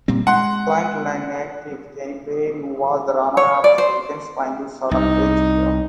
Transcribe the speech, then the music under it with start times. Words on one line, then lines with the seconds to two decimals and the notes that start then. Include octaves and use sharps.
Franklin native Kenny Perry was the runner-up in the event's final sudden-death playoff.
0.08 A#2 G3 C4
0.27 G#3 F#5 C6
3.37 C#5
3.64 D5
3.78 C5
4.91 C2 D#4